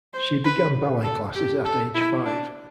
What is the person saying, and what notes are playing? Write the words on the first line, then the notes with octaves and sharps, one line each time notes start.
She began ballet classes at age five.
C5
B4
A4
G4
A4
E4
D4